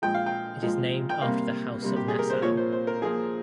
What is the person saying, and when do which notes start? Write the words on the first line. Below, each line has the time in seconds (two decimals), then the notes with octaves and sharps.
It is named after the House of Nassau.
0.02 A#2 F3 G#3 G5
0.14 F5
0.26 G5
0.62 A#2 F3 G#3
1.10 G5
1.22 C3 G3 A#3 F5
1.82 C3 G3 A#3
1.96 G4
2.08 G#4
2.19 A#4
2.30 C5
2.42 A#2 F3 A#3 C#5
2.57 C5
2.72 C5
2.87 A#4
3.01 A#2 F3 A#3 G#4